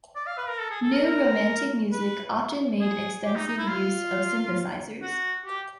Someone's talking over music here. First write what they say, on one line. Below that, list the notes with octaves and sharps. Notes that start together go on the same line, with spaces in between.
New Romantic music often made extensive use of synthesisers.
D5
F5
B4
A#4
A4
G#4
A4
A#4
A#4
B4
G#4
G4
D#4
D#4
E4
F4
F#4
G4